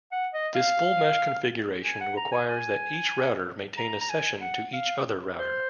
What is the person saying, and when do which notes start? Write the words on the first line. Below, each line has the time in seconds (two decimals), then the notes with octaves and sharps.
This full-mesh configuration requires that each router maintain a session to every other router.
0.12 F#5
0.34 D#5
0.55 F5
1.85 G#5
2.01 F#5
2.17 A#5
2.32 G#5
2.48 G#5
3.78 A#5
4.01 A#5
4.09 G#5
4.41 F#5
4.73 F5
5.38 C5